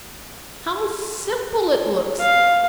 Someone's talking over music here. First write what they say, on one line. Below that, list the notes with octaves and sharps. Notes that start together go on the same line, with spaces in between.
How simple it looks!
F5